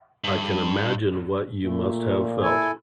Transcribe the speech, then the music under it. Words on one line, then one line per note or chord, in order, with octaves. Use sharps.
I can imagine what you must have felt.
G2
A#2 A3
E4 A4 G#5